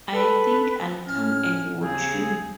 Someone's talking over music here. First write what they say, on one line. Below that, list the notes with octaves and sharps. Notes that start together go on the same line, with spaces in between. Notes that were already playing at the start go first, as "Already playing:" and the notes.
I think I'll come and watch you.
A4 B4
A2 C#4 F6
D#2 C#3 C4 G#4